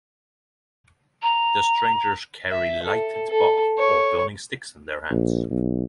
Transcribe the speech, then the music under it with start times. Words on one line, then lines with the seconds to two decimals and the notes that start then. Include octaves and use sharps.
The strangers carry lighted bark or burning sticks in their hands.
1.23 A#5
2.50 E5
2.83 A4
3.29 A4
3.78 C#5
5.11 A#1
5.51 B1